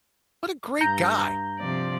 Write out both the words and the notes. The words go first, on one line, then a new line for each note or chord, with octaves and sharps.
What a great guy.
G2 A#5 G6
C3 F3 D5